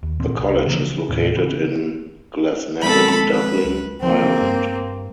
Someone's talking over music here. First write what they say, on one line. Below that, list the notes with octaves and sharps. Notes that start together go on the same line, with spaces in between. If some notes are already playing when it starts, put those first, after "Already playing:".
The college is located in Glasnevin, Dublin, Ireland.
D#2
G#1 E2 A#2 C4
C2
C#3 E3 F3 A#3
D#2 A2 C3
C#3 E3
F3 G#3 C4 A4 B5
B4
C#2
C#3 E3 F3 A#3 C4
G2